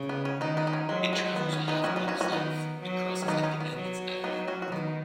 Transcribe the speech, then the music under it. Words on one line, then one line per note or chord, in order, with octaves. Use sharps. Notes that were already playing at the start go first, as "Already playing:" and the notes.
It travels a half block south, and crosses Independence Avenue.
Already playing: C#3
B3
C#4
D#3 B3 D#4
B3 D#4
D#4
C#4
F#3 G#3
G#3
D#3 B3
C#4
B3 D#4
F#3 C#4 F#4
B3 D#4
C#4 F#4
C#4 F#4
D#3 B3 D#4
F#3
C#4
D#3 B3 D#4
C#4
B3
F#3
B3 D#4
C#4 F#4
F#4
D#3 B3 D#4